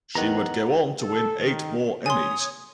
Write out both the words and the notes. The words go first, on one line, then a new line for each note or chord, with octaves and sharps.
She would go on to win eight more Emmys.
E2 D#3 F#5 A#5
A4
D#3
C#5 G#5 C6 D#6